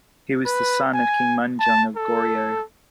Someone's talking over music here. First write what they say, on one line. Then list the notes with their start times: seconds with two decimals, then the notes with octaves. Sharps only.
He was the son of King Munjong of Goryeo.
0.45 B4
0.94 G#5
1.59 A5
1.96 A4